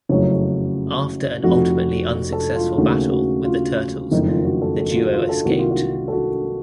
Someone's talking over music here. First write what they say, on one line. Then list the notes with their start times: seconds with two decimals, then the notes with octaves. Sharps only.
After an ultimately unsuccessful battle with the Turtles, the duo escaped.
0.09 F#1 F2 C#3 F#3 A3 C#5
1.44 F1 F2 C3 F#4
2.32 A4
2.55 F4
2.78 D#2 C#3 A3 F#4
3.11 F#4
3.44 F4
4.11 F#1 F2 D#3 A3 D#4
4.28 F4
4.45 F#4
4.62 A4
4.79 A4
4.90 F4
4.95 F#4
5.12 F4
5.29 A4
5.45 C2 C3 D#3 A#3 F#4
5.58 F4
5.71 F#4
6.08 A4
6.12 F#4